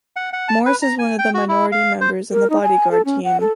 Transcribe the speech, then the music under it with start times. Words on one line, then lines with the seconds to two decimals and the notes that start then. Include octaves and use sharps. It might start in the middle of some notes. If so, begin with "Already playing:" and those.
Morris is one of minority members in the Bodyguard Team.
0.16 F#5
0.33 F#5
0.48 A5
0.66 B4
0.82 A#5
0.99 G#5
1.19 G5
1.34 F#4
1.48 E4
1.72 F5
2.01 C5
2.32 A#4
2.50 D#4
2.63 G#5
2.91 A4
3.05 C#4
3.24 F#5
3.40 A4